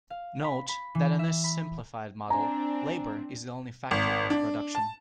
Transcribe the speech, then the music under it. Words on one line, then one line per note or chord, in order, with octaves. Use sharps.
Note that in this simplified model, labour is the only factor of production.
F5
B5
B5
E3
E5
B5
C4 D4 G#5 A#5
G#1
D4
A5